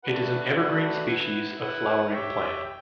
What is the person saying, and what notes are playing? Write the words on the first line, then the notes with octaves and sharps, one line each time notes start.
It is an evergreen species of flowering plant.
A3 D4 F#4 B4 F#5
A3 D4 F#4 B4 F#5
E4 B4 F#5
E4 B4 F#5
G4 C#5 E5 G5
G5